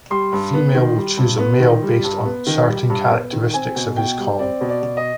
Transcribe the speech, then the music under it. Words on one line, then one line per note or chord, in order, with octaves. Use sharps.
A female will choose a male based on certain characteristics of his call.
G3 C6
G2
B3
D#3
G3
G2
B3
D#3
G3
G2
B3
D#3
G3
G2
B3
D#3
C4 G#5
B2
B2 G5
G3
C4 D5
B2
D5
B2
D#5